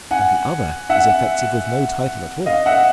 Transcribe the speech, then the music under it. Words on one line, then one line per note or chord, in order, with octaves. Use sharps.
And the other is effective with no title at all.
F#5 G#5
E5 F#5
D#5 F5
E5 F#5